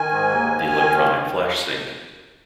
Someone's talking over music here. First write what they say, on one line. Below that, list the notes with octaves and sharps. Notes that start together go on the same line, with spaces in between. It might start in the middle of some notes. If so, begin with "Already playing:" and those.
The electronic flash sync.
Already playing: D#3 G#5
G#2
D#2
D#3
D#3
D#2